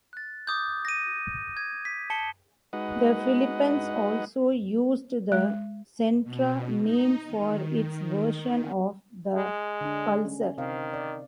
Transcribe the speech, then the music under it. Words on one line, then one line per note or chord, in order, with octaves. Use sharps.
The Philippines also used the Sentra name for its version of the Pulsar.
F#6 A6
D6 D#6 G6
A#6 D#7
G#6
B6
A5 B6 C#7 G7
G#3 D#4 F#4 B4 D#5 F#5
G#3
B2
D#4
D#3
G#3
D3 D4
C#4
C3 D#3 C4 F5
D5